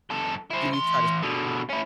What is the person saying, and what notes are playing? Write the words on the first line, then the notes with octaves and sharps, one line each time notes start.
Do you try to
F#2 A4
E4 C5
E3 C6
B2 D3
C#4 E4